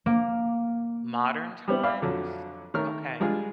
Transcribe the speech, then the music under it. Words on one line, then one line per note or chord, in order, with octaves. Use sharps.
modern times? Okay.
A#3
G3 B3 C4 E4
D5 E5 F5 B5
F2 D3 F#3
D#3 A3 A#4 C#5 F6
G3 G#3 D4 F4 G#4